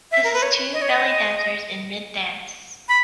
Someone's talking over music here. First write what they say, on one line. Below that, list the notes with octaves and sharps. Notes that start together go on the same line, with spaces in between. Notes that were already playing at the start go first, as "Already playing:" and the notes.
This is two belly dancers in mid dance.
E5
A#4
B4
C#5
D#5
C#5
D#5
B5